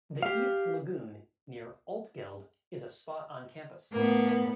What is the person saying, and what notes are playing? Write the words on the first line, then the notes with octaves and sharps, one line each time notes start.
The East Lagoon near Altgeld is a spot on campus.
G4 F5
A2 A#3 B3